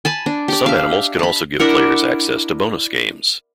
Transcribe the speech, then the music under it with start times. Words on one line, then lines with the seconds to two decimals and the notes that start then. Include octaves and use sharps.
Some animals can also give players access to bonus games.
0.05 G#5 A5 B5
0.26 D4
0.48 G4 D5
0.66 E5 F5
1.19 A5 B5
1.60 D4 E4 A#4 F#5